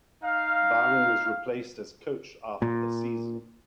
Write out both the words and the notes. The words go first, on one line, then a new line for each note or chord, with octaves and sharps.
Baun was replaced as coach after the season.
D#4 F5
A#2